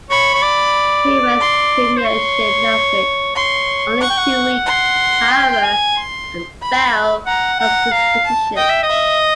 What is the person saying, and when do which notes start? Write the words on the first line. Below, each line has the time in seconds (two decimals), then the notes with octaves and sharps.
Sewell's premiership lasted only two weeks, however, and Bell lost his position.
0.10 C#5 B5
0.34 C#5
0.42 D5
1.40 C6
1.97 C5
2.05 C#5 C6
3.35 C#5 C6
4.01 F#5 C#6
4.10 G5
4.17 F#5
4.66 C6
5.31 G5
5.63 G#5
5.96 C6
6.62 B5
7.26 F#5 A#5
7.59 F#5 A#5
7.91 F5 A#5
8.25 A5
8.56 D#5 G5
8.70 E5
8.83 D#5
8.90 E5